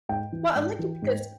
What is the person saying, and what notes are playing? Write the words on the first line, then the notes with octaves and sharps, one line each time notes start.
Well, I like it because,
G#2 G5
E3
G#2
E3
G#2